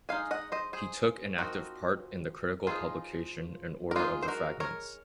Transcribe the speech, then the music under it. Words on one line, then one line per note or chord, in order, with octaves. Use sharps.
He took an active part in the critical publication and order of the fragments.
G#3 D#4 F5 G#5
D#5 F#5
C5 D#5
G#4 C5
F3 C4 D#4 F#4 A#4
F3 C4 D#4 F4 G#4
A#4
G#3 D#4 F4 G#4
C5
F#4 A#4
A#4 C#5